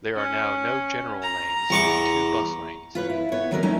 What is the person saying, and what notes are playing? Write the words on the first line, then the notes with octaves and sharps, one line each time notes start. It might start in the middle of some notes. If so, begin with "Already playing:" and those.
There are now no general lanes, and two bus lanes.
C#4
A#5
E2 C#6 D6
F4 B4 C#5
E4
B3 C#5
D#2 F#3 B3 F#4 A#4 D5
F#3 G3 A3 C#4 D#4 E4